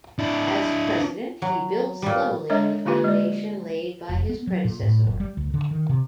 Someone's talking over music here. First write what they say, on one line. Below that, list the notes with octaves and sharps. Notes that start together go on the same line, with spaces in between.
As president he built slowly on the foundation laid by his predecessor.
D4 E4
F#3
A#2 G3
G#3 D4 C#5 D#5 E5
D3 A#3 F4 G4 B4
G#3 D5
F1
B3
F#3
A#2
A2
F#1
G3
D2
D3
D#3
C3